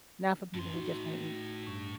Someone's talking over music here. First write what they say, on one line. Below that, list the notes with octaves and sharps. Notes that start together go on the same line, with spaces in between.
not for people who just wanna eat.
F#2 A2 C6
D#4 F#4
G2 C#6